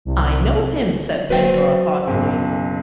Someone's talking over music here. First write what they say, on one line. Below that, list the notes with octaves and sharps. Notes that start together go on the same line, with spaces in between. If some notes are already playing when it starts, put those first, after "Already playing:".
"I know him," said Pandora, thoughtfully.
C2
F#3 B4 C5 G5
F#1 B1